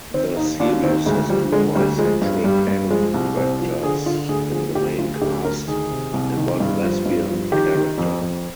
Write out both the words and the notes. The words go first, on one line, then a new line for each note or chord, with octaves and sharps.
The series has two bisexual characters in the main cast and one lesbian character.
D#3 C4
D#2 D#4
D#2 D4
D#3 C4
D2 G#3
F3 G3
D3 G#3
D2 G3
F3 G#3
G2
G2 G3
G2
F3 G#3
C2
C2 C4
F3
D3 G#4
D3 F4
D2 G#4
F3 G#4
D2 G4
D2 F4
G#4
D2 G4
D2 A#4
D#3 G#4
C3
C2
D#3
G2
F3
G2
F3
D#3 G4
D#3
F2
F2